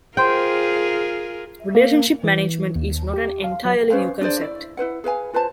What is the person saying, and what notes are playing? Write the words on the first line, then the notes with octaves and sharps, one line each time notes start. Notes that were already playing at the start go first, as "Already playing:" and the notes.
Relationship management is not an entirely new concept.
F4 G#4 A#4 C5 G5
A#3
E3
D#2
G4
F5
F#3
C#4 B4 C5 F5
D4 G#4 C5 D5
E4 D5
E4 B4 C5 F#5
G#4 B4 F5 G#5
F4 B4 C5 A5